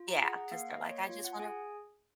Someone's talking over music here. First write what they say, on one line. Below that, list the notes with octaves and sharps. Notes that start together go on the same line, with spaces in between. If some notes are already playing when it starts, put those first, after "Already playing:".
Yeah, 'cause they're like, "I just wanna
Already playing: F4
A#5
G#4 F#5
F#5
A#3 F5
D#5
A#3
C#5
F4
F#5
G#4 G#5